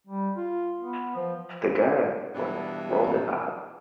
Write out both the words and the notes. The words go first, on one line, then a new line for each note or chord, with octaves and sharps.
The gang was rounded up.
G3
F4
B3
F3
G2 B2 E3 B3 D4